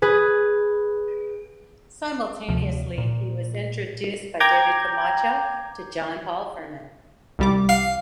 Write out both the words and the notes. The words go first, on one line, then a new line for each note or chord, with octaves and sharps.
Simultaneously he was introduced by David Camacho to John Paul Firman.
G#4 B4
D2 C3 F3
A#2
G5 A#5 D6 G6 G#6
C2 G3 D6
F5